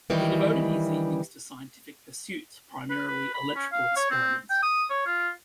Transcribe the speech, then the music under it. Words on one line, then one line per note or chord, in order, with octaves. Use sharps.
He devoted his evenings to scientific pursuits-primarily electrical experiments.
D#3 E3 G3
B4
B4
B5
C#4
F5
C#5
C4
G5
D#6
C#5
F4